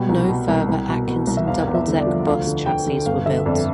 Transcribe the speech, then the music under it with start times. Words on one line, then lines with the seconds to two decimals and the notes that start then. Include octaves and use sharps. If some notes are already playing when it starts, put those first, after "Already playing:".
No further Atkinson double-deck bus chassis were built.
Already playing: B2 G3 G5
0.09 C2
0.29 B2
0.49 C2
0.69 C2
0.89 B2
1.08 B2
1.27 C2
1.37 E5
1.47 E2 F5
1.67 E2
1.74 E5
1.88 D3
2.01 D5
2.07 F3
2.26 D2 F5
2.47 D3
2.66 D3 G5
2.87 D3
3.06 G1 F5
3.26 D3 E5
3.46 F2 D5